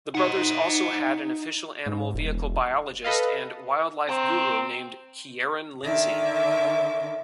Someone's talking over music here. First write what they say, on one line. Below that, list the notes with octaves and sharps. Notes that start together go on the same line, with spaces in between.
The brothers also had an official Animal-Vehicle Biologist and Wildlife Guru named Kieran Lindsey.
D#4 C5 F#5
G#2
E1
A4 B4 D#5 F5
C4 G5 A#5
D3 D#3 E5 D6